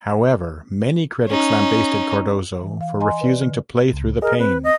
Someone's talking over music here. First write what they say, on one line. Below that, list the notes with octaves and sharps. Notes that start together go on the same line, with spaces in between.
However, many critics lambasted Cardozo for refusing to play through the pain.
C#4 D#4
E3
F5
D#5 G#5 A#5 C6
B4 D5
D3
C#2
G#4 A#4 D#5
C4 B4
D#5